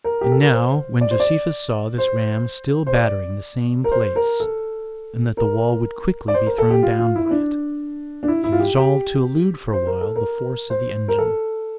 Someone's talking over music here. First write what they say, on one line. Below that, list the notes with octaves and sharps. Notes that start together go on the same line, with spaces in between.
And now, when Josephus saw this ram still battering the same place, and that the wall would quickly be thrown down by it, he resolved to elude for a while the force of the engine.
A#4
G4
A4
A#4
C5
D5
C5
D5
C5
C5
D5
A#4
C5
A#4
A4
A#4
D5
C5
A#4
A4
G4
F4
F4
E4
E4
D4
D4
E4
E4
F4
G4
G4
C5
A#4
A4
A#4
C5
A#4
A4